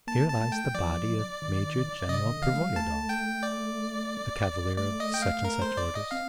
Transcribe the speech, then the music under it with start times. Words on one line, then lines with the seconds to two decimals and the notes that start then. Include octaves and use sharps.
"Here lies the body of Major-General Pervoyedov ... a cavalier of such and such orders." Hm!
0.07 A#3 A5
0.30 A5
0.41 A3
0.52 G5
0.74 F3 D5
1.42 D#3
2.08 C3 D#5
2.25 D3
2.42 D#3 F5
2.53 A3
2.59 G3
2.76 A3 A5
3.09 G5
3.43 D5
4.77 A3 D5
5.00 D#5
5.14 G5
5.22 F5
5.45 A#4
5.62 C5
5.77 D5
5.95 D#5
6.11 C4 F5